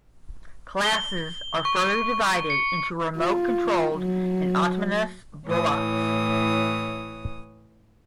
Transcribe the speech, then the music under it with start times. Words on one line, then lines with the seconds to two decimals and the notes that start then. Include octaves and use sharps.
Classes are further divided into remote-controlled and autonomous robots.
0.85 G7
1.65 C#6
2.50 C#7
3.18 F4
3.96 F#3
5.48 A2 E3 C#5 D#6